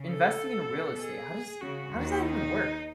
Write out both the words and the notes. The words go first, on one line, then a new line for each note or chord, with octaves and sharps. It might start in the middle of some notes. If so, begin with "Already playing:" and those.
investing in real estate, how does how does that even work?
Already playing: C#3
A4
B2
G#4
C#3 F#4
D#2 D#3
D#4